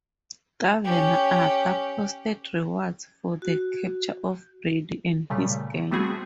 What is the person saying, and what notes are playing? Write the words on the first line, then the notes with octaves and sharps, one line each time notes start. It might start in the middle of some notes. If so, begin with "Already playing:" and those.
Governor Arthur posted rewards for the capture of Brady and his gang.
C#4 G4
F#4
A#2 C#3 G3 A3
G3 A3 B3 C4 F#4 G#4